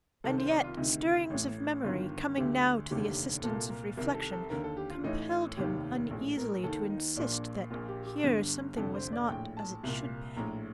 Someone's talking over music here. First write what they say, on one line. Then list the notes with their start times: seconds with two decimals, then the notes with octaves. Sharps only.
And yet, stirrings of memory coming now to the assistance of reflection, compelled him uneasily to insist that here something was not as it should be.
0.24 C2 C3 D#3 A4
0.38 C5
0.51 D5
0.64 F4
0.77 D2 C3 D#3 D#4
1.30 A1 A2
1.84 G1 G2 D#3 F4
2.37 D2 D3 G4
2.90 F1 D#2 D3 G4
3.44 C2 A#2 A4
3.70 A#4
3.97 C2 C3 D#3 A#4
4.14 A4
4.32 A4
4.50 D#2 D3 A#4
4.64 A4
4.77 G4
4.90 F4
5.04 A1 A2 D#4
5.57 F1 D#2 D#3 G4
6.11 A#1 A2
6.38 A#4
6.64 D#2 D#3 A4
6.90 D#4
7.17 A#1 A#2 D4
7.70 A#1 A#2 F4
7.88 G4
8.05 G4
8.23 G1 G2 D3
8.77 F1 F2 D3 A4
8.95 C5
9.12 D5
9.30 A#1 A2 G5
9.57 A5
9.83 C2 A#2
10.37 A#1 A2 A#5